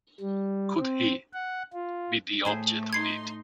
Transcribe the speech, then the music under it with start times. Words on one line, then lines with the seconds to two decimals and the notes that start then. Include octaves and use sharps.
Could he be the object of it?
0.21 G3
0.78 C4
1.33 F#5
1.73 F4
2.45 A2 A3 G#4 C5
2.93 D#4 C6 G#6 C7